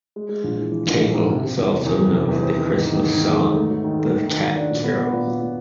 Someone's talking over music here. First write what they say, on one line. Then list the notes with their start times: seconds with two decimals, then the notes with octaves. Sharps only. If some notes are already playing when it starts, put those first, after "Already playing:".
Cadell is also known for the Christmas song "The Cat Carol".
0.16 G#3
0.29 G#3
0.44 A#1
0.58 E3
0.72 E3
0.86 A#1
1.00 A#1
1.14 G#2
1.29 C3
1.44 C3
1.57 E2
1.71 C3
1.86 E2
2.00 C3
2.14 C3
2.29 E2
2.42 C4
2.56 D#3
2.71 G#2
2.85 D#3
2.99 G#2
3.14 D#3
3.27 G#3
3.41 G#2
3.56 A3
3.70 F#3
3.84 D#3
3.99 A3
4.13 D#3
4.27 D#3
4.41 F#3
4.56 D4
4.70 A#2
4.84 B3
4.98 B3
5.12 A#2
5.27 F#3
5.41 A#2